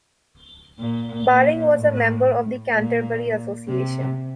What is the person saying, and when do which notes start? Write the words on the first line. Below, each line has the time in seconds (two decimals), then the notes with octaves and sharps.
Baring was a member of the Canterbury Association.
0.78 A#2
1.26 A#2
1.74 A2
2.71 A#2
3.68 C3